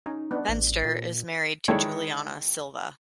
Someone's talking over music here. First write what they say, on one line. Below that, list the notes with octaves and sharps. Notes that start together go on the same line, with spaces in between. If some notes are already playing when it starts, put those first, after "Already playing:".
Fenster is married to Juliana Silva.
C#4 D#4
B3 D4
A1
A#2
D#3 G#3 E4 A4 C#5 D5